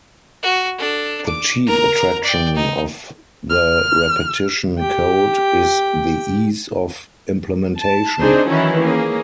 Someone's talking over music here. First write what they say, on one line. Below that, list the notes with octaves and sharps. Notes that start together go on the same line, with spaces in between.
The chief attraction of the repetition code is the ease of implementation.
F#4
D4 A4
D6
A#4 A#5
D5 G5
D#4
F6
G4 G5
A5
C4 D4 D#4 G#4 C5
D#3 E3 F#3 C#4 E4
A#3 C#4 G#4